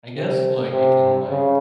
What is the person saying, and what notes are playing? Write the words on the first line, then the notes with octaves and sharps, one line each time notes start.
I guess, like, it can like,
C3
C3
C#3